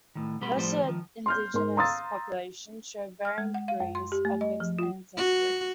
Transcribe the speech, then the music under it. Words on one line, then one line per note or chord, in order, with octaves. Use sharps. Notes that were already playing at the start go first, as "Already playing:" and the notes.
Most of the indigenous population show varying degrees of mixed ancestry.
A2 D#3
B2 G3 G4 B4 C6
A2 F3 G3 C5
D#3 F3
C6 F6 G6
G#2 A#4 C6
F5 A#5 C6 D#6 E6 A6
F6
G#3
F#5
F5
F#2
C6
G4
A3
D#5
F3
F4
F#4